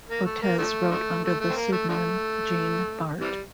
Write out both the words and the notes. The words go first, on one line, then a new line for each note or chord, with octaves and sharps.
Botez wrote under the pseudonym Jean Bart.
A#3
A3
A#3
D3 F3 A3
D3 F3 A3
A3
A3
C4
A#3
A3
D3 F3 A3
C3 E3 G3